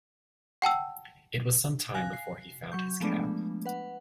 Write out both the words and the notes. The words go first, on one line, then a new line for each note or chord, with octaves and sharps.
It was some time before he found his cap.
F#5 G5 A5 E6
F5 G#5 F#6 A#6
C7
F#3 C#6 G6
F3 G#3 A3 B3 D4
B4 F#5